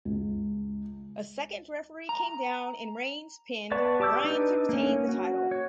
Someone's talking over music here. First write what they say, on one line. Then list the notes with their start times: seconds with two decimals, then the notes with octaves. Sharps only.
A second referee came down and Reigns pinned Bryan to retain the title.
0.05 C#2
2.09 A#5
3.71 B3 B4 D5 A5 C#6
4.00 G4 A5 D6 E6 G6
4.24 D4 D#4 B4
4.69 A#3 C#4
5.09 F#4
5.51 C#5